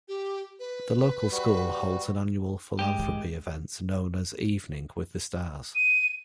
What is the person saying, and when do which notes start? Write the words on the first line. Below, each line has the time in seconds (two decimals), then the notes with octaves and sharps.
The local school holds an annual philanthropy event known as Evening with the Stars.
0.08 G4
0.59 B4
1.32 G3 F#4
2.79 G#3 G4
2.99 A#1 G#2 D#3
5.75 D#7